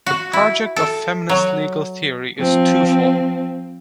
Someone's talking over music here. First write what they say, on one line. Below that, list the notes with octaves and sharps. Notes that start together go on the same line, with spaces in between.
The project of feminist legal theory is twofold.
F#4
E4
A4
F#3
F3 C4